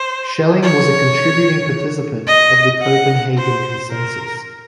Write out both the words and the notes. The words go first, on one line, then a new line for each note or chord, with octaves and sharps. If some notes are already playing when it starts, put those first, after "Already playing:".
Schelling was a contributing participant of the Copenhagen Consensus.
Already playing: C5
C#5
D#5
F#5
C5
A#4